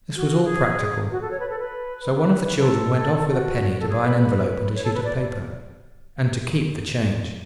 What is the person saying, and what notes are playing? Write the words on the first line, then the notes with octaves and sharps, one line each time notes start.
This was all practical, so one of the children went off with a penny to buy an envelope and a sheet of paper, and to keep the change.
F#4
G#4
F#4
A4
C#5
B4
A4
B4
B4
B4
A4
F#4
A4
G#4
B4
B4
C#5
A4
B4
D5